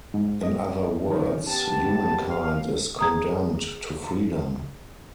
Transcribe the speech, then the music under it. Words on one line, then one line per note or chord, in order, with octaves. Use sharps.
In other words, humankind is "condemned" to freedom.
G#2
D#5
F2 D#3 C#4
B3 C#4 G4 A5
F5
G#4 A#5 D#6